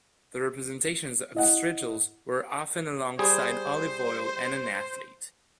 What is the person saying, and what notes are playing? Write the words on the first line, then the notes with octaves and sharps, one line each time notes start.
The representations of strigils were often alongside olive oil and an athlete.
E4 D#5 F#5
G3 G#4 C5